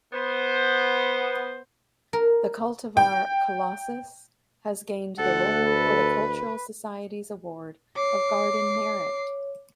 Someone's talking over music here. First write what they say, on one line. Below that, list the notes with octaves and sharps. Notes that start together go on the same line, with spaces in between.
The cultivar 'Colossus' has gained the Royal Horticultural Society's Award of Garden Merit.
B3 C5
A#4
G5
D2 A4 F#5
B4
C#5 D6 C7